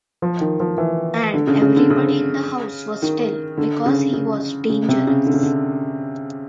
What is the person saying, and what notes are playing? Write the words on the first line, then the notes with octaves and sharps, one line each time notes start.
And everybody in the house was still, because he was dangerous.
F3
D#3
F3
E3
D3
C#3
C#3
D3
C#3
D#3
D3
C#3
C#3
C#3
C3
C#3
D3
C#3
D3